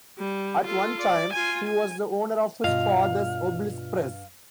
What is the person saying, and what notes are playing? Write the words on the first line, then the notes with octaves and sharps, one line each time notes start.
At one time he was the owner of his father's Obelisk Press.
G3
F4 A4
D5
F4 G#5
G#5
G2 B2 F4 D#5 F5